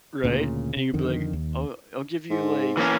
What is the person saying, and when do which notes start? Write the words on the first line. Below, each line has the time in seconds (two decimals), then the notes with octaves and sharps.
Right, and you'd be like, "Oh, I'll give you, like,
0.24 D2 A#2 C#3
0.77 C3
0.94 F2 D3 D#3
1.33 D#2
2.30 G#2
2.77 E3 A#3 C#4